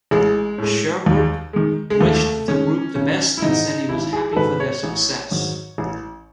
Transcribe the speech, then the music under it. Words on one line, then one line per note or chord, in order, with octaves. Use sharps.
Sherbrooke wished the group the best and said he was happy for their success.
A1 G#3
A2 G#3
D#2
D#3 G#3
G#3
D#2 A3
D#3 G#3 C#4
G#1 C#4
E4
G#2 D#3 D#4
G#1 E4
G#4
A4
G#2 D#3 B4
C#5
A1
G#2 D#3 F#3
A1